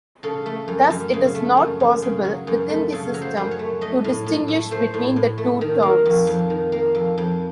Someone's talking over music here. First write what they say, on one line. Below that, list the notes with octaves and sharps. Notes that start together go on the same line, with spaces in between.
Thus it is not possible, within the system, to distinguish between the two terms.
C#3 A4
A3
F#2
F#2
C#3
A3
F#2
F#2
C#3
F#3
F#2
A3
C#3 A4
F#3
C5
F#2
C#5
A3
A3 D#5
A2
A2
A3
A3 C5
A2
A2
A3
D#3
A#3
F2
F2
D#3
A#3
F2
F2